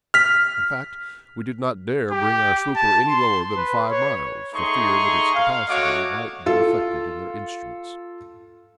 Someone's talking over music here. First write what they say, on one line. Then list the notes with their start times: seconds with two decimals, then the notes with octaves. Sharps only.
In fact, we did not dare bring our swooper any lower than five miles for fear that its capacity might be reflected in their instruments.
0.14 F6 B6
2.11 G4
2.76 A5
3.08 C6
3.57 B4
3.91 C#5
4.54 A3 D#4 G#4 A#5 C6 C#6
5.35 F5
5.68 A3 F#4 C#5 D#5 F#5 D6
6.46 F4 A4